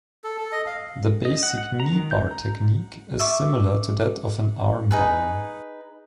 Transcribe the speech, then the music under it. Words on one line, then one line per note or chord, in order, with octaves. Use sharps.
The basic kneebar technique is similar to that of an armbar.
A4
A4
D#5
F5
D#5
F#5
F#5
A#5
D#3
G6
A#5
E5 C#6 D6
D#4 G#4 B4